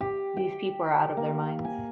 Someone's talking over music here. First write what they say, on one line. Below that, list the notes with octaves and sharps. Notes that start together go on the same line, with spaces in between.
These people are out of their minds.
G4
G5
A#3
G#5